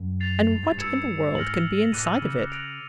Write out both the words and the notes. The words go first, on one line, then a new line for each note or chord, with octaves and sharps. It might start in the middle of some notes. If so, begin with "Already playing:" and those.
"And what in the world can be inside of it?"
Already playing: F#2
A6 C7 F7
G2
G2
G2 E6 G#6 C#7 E7
G#2 F6 A#6 C#7 F#7
A2 D6 F#6 A#6 D#7
C#3
F#6 A#6 D7 F7